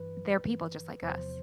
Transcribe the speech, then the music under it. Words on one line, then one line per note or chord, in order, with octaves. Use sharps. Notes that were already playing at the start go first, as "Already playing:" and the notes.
there're people just like us.
Already playing: G2 E3 B4
G2 E3
E2 C3 F3 C5